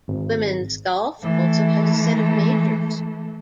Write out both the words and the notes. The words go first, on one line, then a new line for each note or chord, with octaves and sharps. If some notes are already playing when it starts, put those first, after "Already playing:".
Women's golf also has a set of majors.
G#1
E3 A3